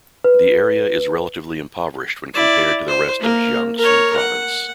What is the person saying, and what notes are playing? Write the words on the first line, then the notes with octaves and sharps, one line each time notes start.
The area is relatively impoverished when compared to the rest of Jiangsu Province.
B4
E4 D5
C5
A#3 A#4
A#4 C#5
F#5